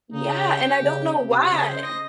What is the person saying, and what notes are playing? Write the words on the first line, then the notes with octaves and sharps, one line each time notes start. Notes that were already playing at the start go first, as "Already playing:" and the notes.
Yeah, and I don't know why.
C#3 D#4
G4
C#3
C3
C#3 G#4
C5
D#5